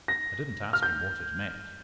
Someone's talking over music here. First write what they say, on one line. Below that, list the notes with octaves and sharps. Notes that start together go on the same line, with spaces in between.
I didn't ask him what it meant.
A#6
F6
G6